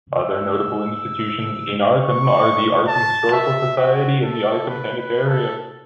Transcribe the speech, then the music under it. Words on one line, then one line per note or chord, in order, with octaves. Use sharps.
Other notable institutions in Arkham are the Arkham Historical Society and the Arkham Sanitarium.
E6
C#6
A5
E5
F#4
A4
B4
B4
A4